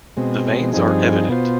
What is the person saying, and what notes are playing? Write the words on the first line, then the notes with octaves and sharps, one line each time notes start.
The veins are evident.
B2 G#3 C4
G2 F3 C4 D#4 G#4
B2 B3 F4 C5